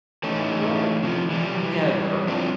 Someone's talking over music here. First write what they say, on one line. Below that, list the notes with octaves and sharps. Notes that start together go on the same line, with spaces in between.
Like, never.
E3 A3 C#4 D#4
C3 F3
E3 G3
F3 F#3 C4 D4 F4